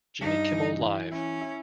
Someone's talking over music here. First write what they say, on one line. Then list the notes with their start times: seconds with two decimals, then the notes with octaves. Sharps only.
Jimmy Kimmel Live!
0.21 G2 D#4
0.51 E3
0.81 E3
1.11 C#4 E4
1.41 E4